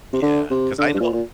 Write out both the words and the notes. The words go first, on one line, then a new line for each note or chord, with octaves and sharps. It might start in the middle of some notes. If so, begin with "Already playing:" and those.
Yeah, 'cause I know
C3
D3
C3
D3
G2
A#2
A#2